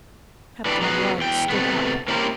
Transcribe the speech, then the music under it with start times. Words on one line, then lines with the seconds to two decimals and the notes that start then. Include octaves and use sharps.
Captain Blood stood up.
0.65 E3 G3 A3 D4
0.81 F#3 B3 D#4 E4 F#4 G#4
1.18 E2 G5
1.50 C3 A3 B3
2.08 A#3 C#4 E4 G4 A#4 C5